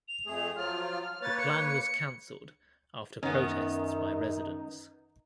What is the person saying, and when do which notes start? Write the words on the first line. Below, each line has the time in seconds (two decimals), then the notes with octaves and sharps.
The plan was canceled after protests by residents.
0.08 F7
0.26 F2 A3 G#4 F7
0.56 F3 F#3 F4 F6
1.22 A#3 B4 C#5 A6
1.39 C#7
3.23 F#2 D#3 B3 C#4 D#4